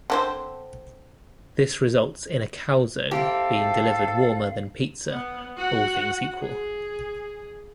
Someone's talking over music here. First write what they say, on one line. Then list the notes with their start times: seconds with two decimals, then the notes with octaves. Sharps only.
This results in a calzone being delivered warmer than pizza all things equal.
0.10 D3 C4 C5
3.11 C4 E4 G4 A4 F5
5.11 B3
5.57 F#4 F#5
6.40 G#4